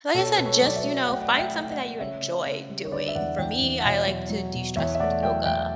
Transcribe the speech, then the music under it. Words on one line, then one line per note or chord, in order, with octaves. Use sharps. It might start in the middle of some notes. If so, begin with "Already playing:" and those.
like I said, just, you know, find something that you enjoy doing. For me, I like to destress with yoga,
B2 A4 C#5
B2 B4
A4 C#5
F#3 D5
C#5 E5
F#3
A3 F#5
G5
D5 F#5
A3
E5 G5
A3
G5
D5 F#5
A3
C#3 C#5 E5
C#3
C#3
G3
C#5
D3 B4 D5
E5
E2 D5 F#5
E2 E5 G5
E2
F#5
B2 C#5 E5
F#3
F#3
B2
E2 C#5 E5
E5
A3 D5 F#5
F#3 E5 G5
E2 E5 G5